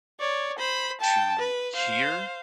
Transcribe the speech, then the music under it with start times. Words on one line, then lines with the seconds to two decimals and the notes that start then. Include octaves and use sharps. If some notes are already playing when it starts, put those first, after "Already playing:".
to hear
0.19 C#5 D5
0.59 C5 B5
1.01 G5 A5
1.38 B4
1.75 C5 F5